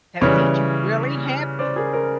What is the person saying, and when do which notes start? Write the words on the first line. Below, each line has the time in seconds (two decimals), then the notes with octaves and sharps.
that made you really happy?
0.21 C#3 E3 G3 B4 C#5
1.59 C5 D5
1.76 G#4 A#4
1.93 A#4 C5